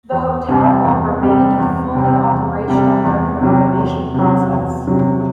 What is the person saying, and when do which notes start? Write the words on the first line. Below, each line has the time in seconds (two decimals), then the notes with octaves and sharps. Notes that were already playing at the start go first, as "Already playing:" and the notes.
The hotel will remained fully operational during the renovation process.
0.12 E2
0.48 C3 G3 C4
0.85 E2
1.21 C3 G3 C4
1.58 E2
1.94 C3 G3 C4
2.32 E2
2.68 C3 G3 C4
3.04 E2
3.41 C3 F#3
3.77 E2
4.14 C3 F#3
4.52 E2
4.87 C3 F#3